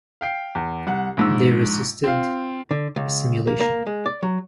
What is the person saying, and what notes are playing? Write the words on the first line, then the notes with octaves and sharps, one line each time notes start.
They resisted assimilation.
F5 G5 C7
E2
C2 F#5
A#1 G#2 E6
C4 F4 F5
D3
C#2
A#3
A#3
G#3
D5
F#3